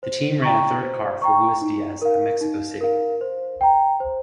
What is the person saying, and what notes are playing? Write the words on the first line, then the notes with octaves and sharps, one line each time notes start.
The team ran a third car for Luis Diaz at Mexico City.
C5
G5 A#5 C#6
C5
G5 A#5 C#6
D#4
A#4 F5
D#4
A#4 F5
C5
G5 A#5
C5